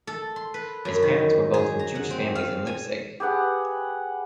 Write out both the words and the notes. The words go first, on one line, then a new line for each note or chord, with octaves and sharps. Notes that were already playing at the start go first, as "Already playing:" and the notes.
His parents were both from Jewish families in Leipzig.
A4
C6
B4
F#2
D#3
G#4
A#5
F#5
C4
F5
G#5
G4 G#4 B4 F#5